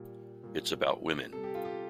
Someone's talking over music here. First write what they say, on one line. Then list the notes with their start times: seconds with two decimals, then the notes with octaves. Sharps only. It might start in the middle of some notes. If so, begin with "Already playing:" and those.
It's about women.
Already playing: A#2 G3
0.44 A#2 G3
1.33 C3 G3 A4
1.44 G4
1.55 F4
1.65 G4